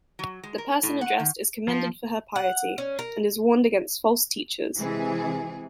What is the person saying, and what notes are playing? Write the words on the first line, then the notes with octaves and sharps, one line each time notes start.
The person addressed is commended for her piety, and is warned against false teachers.
F#3
G#3
A#4
A2
F#5
D#3
F3
F#5
C#4
A#4
C3 E3 G#3 G#4